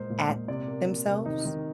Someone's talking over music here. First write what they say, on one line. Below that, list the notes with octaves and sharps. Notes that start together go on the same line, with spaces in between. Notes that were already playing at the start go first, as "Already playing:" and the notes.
at themselves,
Already playing: A#2 G#3 A#3 A#4 C5
A#2
A#2
C3 D5
A#3
A#3
C3
D#3 D#4
D#3